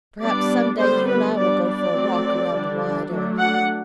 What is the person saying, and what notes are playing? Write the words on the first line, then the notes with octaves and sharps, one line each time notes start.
Perhaps some day you and I will go for a walk round the wide earth.'
G3 B3 D4 D5
D3 G3 B3 C5
B4
G3 B3 D4 D5
D5
F#3 A3 C4
D3 G3 D4
F#3 A3 D4
F#5